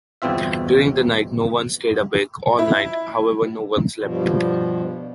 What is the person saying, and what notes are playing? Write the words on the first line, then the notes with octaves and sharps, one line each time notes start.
During the night, no one stayed awake all night, however no one slept.
G1 E2 B2 C4 F4 E5
E4
G2 B2 F3